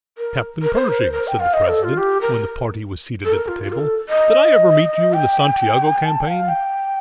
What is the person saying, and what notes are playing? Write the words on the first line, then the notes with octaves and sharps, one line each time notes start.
"Captain Pershing," said the President, when the party was seated at the table, "did I ever meet you in the Santiago campaign?"
A#4
A#4
C5
A#4
C5
A#4
G5
F5
D#5
A4
F4
G4
A#4
A4
A#4
F4
F4
A#4
A4
D#5
G5
A5
G5
F5
G5